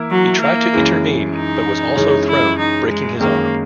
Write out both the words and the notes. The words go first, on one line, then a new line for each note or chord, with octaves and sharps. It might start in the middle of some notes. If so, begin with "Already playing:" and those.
He tried to intervene, but was also thrown, breaking his arm.
Already playing: E3 A#3 E4 A#4
F#3
A#3
F#2 E3 G#3
D#4
F#2 C#3 E3 G#3 C#4
E4
D#4
G#3
F#2 D#3 G#3 A#3